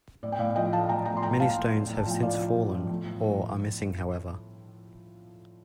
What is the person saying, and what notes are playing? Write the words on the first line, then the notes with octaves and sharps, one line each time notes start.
Many stones have since fallen or are missing however.
A2 D5
G5
A2 D5 F5
F3 D#5 G5
A3 F5 A5
A2 G5 A#5
F3 G5 A#5
C6
A2 G5 A#5
A2 F5 A5
A2
A2
A2
A5
F3 G5
A2 D5 F5
F3
F3
F3
A3
A2